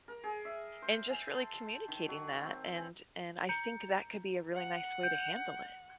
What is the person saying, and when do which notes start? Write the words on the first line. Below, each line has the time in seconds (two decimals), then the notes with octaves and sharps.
and just really communicating that, and and I think that could be a really nice way to handle it.
0.08 A#4
0.24 G#4
0.45 E5
0.82 C5
1.10 G#5
1.30 A5
1.88 D#3
2.08 F#3
2.41 C4
2.77 G#5
3.49 A#5 G6 C#7
4.55 F#5
5.03 G6